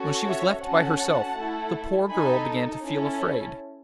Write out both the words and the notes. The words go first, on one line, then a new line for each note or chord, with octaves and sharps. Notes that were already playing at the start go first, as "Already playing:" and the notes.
When she was left by herself the poor girl began to feel afraid.
Already playing: C#4 F#4 A4
C#5 E5
C#4 F#4 A4 F#5 A5
A3 E4 A4
D#4 A4 G#5 B5
C#4 E4 A4